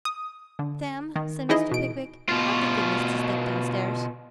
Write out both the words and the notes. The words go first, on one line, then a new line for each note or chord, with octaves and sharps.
'Sam,' said Mr. Pickwick, 'have the goodness to step downstairs.'
D#6
D3
D#3
E3 D#4 E4 G#4 D#5
B2 D7
B2 F4